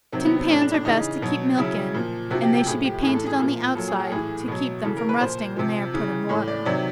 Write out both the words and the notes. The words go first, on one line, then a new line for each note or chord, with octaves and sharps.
Tin pans are best to keep milk in, and they should be painted on the outside to keep them from rusting when they are put in water.
C3 D#3 F#3 C4
B3
C4
A2 E3 C#4
D4
D4
C#3 E3 D#4
B2 F#3
C#3 F#3 E4
A#2 F3
C3 F3 F#4
G4
G4
A2 F3 G#4
G4
A2 E3 G#4
A4
G#4
A#2 F3
A#2 F#3 A4
G#4
G4
A4
A2 E3 G#4
B2 F#3
C#3 E3 A4
A#4
B4
A#2 F3 C5
C3 F3
C#3 E3
A2 E3 C#5
D5
C3 D#3 F#3 D5